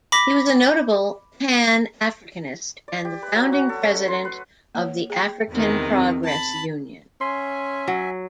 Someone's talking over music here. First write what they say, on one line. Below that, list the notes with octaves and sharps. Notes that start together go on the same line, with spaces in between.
He was a notable Pan-Africanist and the founding president of the African Progress Union.
B5 D6 A#6 B6
D5
G4
B4
F#3
F#4
A4
C#4
A3
C6
B4
A#3 C#5
G#4 G5
E2 C3 D#3
C4
A5 B5
C#4 E5 G#5 C6
F#3